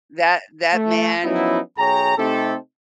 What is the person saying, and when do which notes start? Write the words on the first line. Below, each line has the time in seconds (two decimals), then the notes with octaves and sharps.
that that man
0.74 A3
1.24 F3 F#3 B3 C#4 D#4 E4
1.78 B1 G#4 C#5 G5 A#5
2.18 C3 A3 C4 D#4 G4 A4